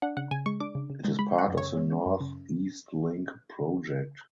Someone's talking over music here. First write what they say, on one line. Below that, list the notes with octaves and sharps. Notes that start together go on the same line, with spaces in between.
It is part of the North East Link project.
D4 F#5
C#3 F#5
C#3 G#5
G#3 C#6
D4 D6
C#3
C#3
G#3
G#3 B5
C#4 F#5
F#2
C#3 C#5
G#3
C#4
F#2
C#3